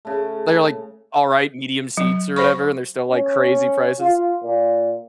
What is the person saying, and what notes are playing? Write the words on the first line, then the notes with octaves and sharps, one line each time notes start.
They're, like, alright medium seats or whatever, and they're still, like, crazy prices.
C#3 A3
F#3
C5 B5 C#6
C#4
F4
A#2